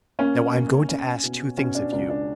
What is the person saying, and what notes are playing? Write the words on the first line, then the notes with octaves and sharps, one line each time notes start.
"Now I am going to ask two things of you."
A#3 C#4
A#3
C#4
B2
B2 C#4
D4
C#2 D4
D4